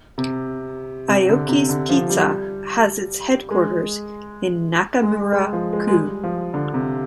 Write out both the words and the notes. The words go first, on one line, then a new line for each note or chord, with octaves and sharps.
Aoki's Pizza has its headquarters in Nakamura-ku.
C3
C3
D3
C3
D3
F3
G3
G#3
G#3
G#3
F3
G#3
G#3
G3
F3
D3
C3